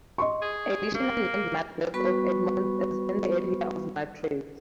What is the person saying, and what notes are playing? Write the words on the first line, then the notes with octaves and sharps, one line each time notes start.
Additional landmark work of Edmonds is in the area of matroids.
D#5 C6 C#6
G#4
A#3
G3 B3 F#4 B4 B5 C#6